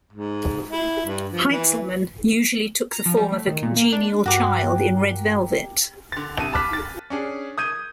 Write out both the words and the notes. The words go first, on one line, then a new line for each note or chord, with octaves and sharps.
Heinzelmann usually took the form of a congenial child in red velvet.
G#2
E4
G2
F3
E3
A#5
F3
G3
A3
D#3
A#2
A#3
D4
G2 F#4 G4 A#4 G#5 D6
D3 A6
C2 A5 D#7
A5 B5 D6 F6 F#6 B6
A6
C#4 D4 G#4
D#6 G6 G#6 D#7